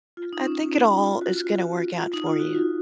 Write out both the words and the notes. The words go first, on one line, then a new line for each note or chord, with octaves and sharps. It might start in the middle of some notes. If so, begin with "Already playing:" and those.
I think it all is gonna work out for you.
F4
D#4
C#4
F4
F#4
F4
D#4
F4
F#4
F4